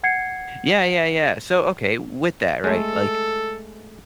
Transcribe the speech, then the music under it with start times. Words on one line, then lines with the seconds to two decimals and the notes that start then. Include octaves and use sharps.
yeah, yeah, yeah, so okay, with that, right? Like,
0.03 F#5 G#6 C7 C#7
2.64 G#3 A3 A4